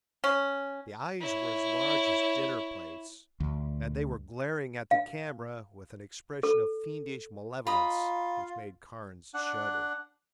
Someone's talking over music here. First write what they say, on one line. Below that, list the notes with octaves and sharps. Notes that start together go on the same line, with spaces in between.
The eyes were as large as dinner plates, and they were glaring at the camera with an expression of fiendish malevolence which made Carnes shudder.
C#4
E4 C#5
D2
F5
A4
F4 D#5 A#5 B5
D4 F#5